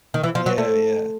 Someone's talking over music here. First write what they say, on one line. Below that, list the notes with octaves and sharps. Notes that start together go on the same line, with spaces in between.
Yeah, yeah.
D#3
E3
F3
F#3
A3